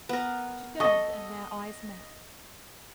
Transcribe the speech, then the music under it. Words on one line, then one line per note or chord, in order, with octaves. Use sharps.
She turned and their eyes met.
B3 A#4
A4 D#5 C#6